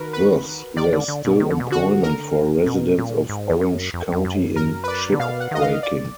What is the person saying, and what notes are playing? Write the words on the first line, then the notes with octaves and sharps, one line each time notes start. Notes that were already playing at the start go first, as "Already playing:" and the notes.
Thus, there is still employment for residents of Orange County in shipbreaking.
Already playing: D#3 F#4 A#4 B4
B4
D#3 D5
D3
D3
B2
D#3
D3
B2
D3 F#4
A#4
B2
A#2
G#2
F2
F#2
F2
F2
F#2
A#4
B4
D5
D3
B2 F5
F#5
D#3 D#5
F5
D5